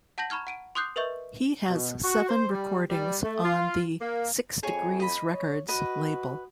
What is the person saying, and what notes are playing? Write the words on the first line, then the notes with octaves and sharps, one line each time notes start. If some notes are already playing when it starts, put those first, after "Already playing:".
He has seven recordings on the Six Degrees Records label.
F#5 A5 G6 A#6 F#7
A#5 B5 C#6 F6 G#6
F#5 D7 D#7
C6 D6 D#6 F#6 G6 C7
A#4 B4 D#5 E5 C#6 G6
B2
F#4
C5
G3
G3
A3
F4
A#3
F2 G#4 C#5 G#5
D#5 B5
C#5
F#4 B4 D#5 B5